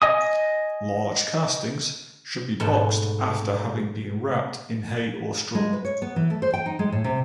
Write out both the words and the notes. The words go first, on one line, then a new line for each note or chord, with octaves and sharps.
Large castings should be boxed after having been wrapped in hay or straw.
D#5 G#5 D#6
G#2 B2 A3 A5
G#3
B4
C#5
B3
E3
A3
C5
G5
D#4
G#3
A2
C3